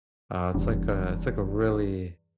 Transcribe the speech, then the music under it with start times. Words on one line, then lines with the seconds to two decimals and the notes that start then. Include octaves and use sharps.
Uh, it's like a it's like a really,
0.54 F1 E2 G2